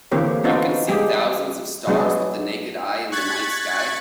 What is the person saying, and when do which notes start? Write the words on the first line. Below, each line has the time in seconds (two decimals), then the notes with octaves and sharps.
You can see thousands of stars with the naked eye in the night sky?
0.12 D3 E3 A#3 C4 G4 C#5
0.44 B3 C4 D4 D#4 F4 F#4
0.88 G3 G#3 G4 G#4
1.87 F#3 G#3 B3 D4 G#4
3.12 C#6 F#6 G#6 A6 B6